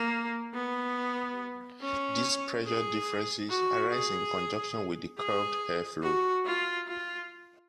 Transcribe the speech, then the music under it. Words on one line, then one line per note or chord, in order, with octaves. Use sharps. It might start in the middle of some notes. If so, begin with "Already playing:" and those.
These pressure differences arise in conjunction with the curved air flow.
Already playing: A#3
B3
C#4
G#4
F#4
G#4
G#4
F#4
F4
F4